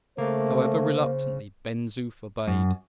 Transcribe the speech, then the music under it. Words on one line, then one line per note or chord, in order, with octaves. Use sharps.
However reluctantly, Ben Zoof obeyed.
C#3 A3 A#3 C5
F#2